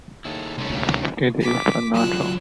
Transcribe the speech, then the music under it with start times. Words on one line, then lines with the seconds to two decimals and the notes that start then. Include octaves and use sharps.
It is unnatural.
0.25 D#2 E4 G#4 A4
0.58 C2 G#3 A3 C#4 A4
0.70 E1 D2 A#2 A3 A#3 G4
1.40 D6 B6
1.95 F#3 D4 F4 E6 F#6